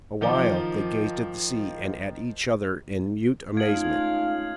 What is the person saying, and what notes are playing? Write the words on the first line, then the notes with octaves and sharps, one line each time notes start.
Awhile, they gazed at the sea and at each other in mute amazement.
D#3 F3 D6 G7
G#3 A3 C#4 D#4 F4 F5 G#6 F#7